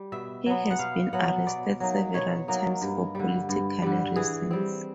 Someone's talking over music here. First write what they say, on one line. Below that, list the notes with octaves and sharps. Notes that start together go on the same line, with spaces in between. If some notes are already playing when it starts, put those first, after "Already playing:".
He has been arrested several times for political reasons.
Already playing: G3
B2 E5
F#3 B3
F#5
B2 F5
F#3 B3 F#5
B2 D5
F#3 A#3 D#4
B2 C#5
F#3 A#3 D#4
G2
D3 G3
G2
D3 G3
E3 G#4
G3 C4